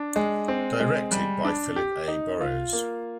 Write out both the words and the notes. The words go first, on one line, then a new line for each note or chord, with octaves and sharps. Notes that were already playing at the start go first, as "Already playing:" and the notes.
Directed by Philip A. Burrows.
Already playing: D4
G#3
C4
G#3
G3
D4
G4
D#4
F4
A#3